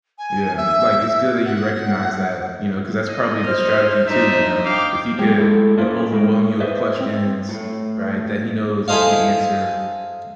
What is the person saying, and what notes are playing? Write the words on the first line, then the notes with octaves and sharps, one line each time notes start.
Yeah, like, it's good that you recognize that, you know, ‘cause that's probably the strategy too, you know, if he could, what, overwhelm you with questions, right, that he knows you can't answer
G#5
E5
F#5
D#5
C5 F6
D4 D#4 E5
F5 G5 D6
F#3 G#3 G4 G#4
G#3 A3 E4 A4
A3 A#3 C#4 E4 F4 A#4
G#3 F#4 A#4
B4 C5 D#5 E5
C4
A2 A3
E4 G#4 A4 C5 D#5 F5